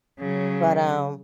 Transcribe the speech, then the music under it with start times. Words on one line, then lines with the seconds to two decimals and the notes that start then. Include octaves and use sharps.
But, um,
0.19 C#3 F#3